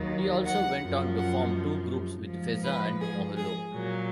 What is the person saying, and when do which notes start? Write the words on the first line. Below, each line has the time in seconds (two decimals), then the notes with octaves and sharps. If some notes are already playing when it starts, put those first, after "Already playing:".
He also went on to form two groups with Feza and Moholo.
Already playing: D#2 D#3 F#3
0.44 F#5
0.81 F#2 F3
1.17 F#5
2.26 G#2 F3
2.63 B4
3.00 G#4
3.36 G#4
3.72 A#2 F#3